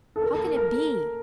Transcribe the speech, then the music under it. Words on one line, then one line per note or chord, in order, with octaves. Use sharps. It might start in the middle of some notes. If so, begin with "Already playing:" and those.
How can it be?
A4
A#4
A4
A#4
A#4